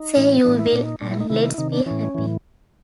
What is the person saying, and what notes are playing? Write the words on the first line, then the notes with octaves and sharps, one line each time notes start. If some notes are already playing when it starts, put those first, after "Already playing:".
Say you will, and let's be happy.
Already playing: D#4
A2 E3
A2 E3 D4
E4
D#4
A#2 D4
D#4
A#2 D4
E4
D#4
C3 D#3 E4
E4
C3 D#3 D#4
D4
A2 E3 C#4
A2 E3